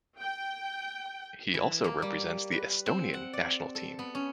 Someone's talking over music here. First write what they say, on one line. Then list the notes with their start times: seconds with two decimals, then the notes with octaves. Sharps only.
He also represents the Estonian national team.
0.20 G5
1.54 E3
1.84 A#3
2.02 G3
2.52 B4
2.86 C4
3.14 F#5
3.33 D5
3.75 A4
3.99 B3
4.15 C#4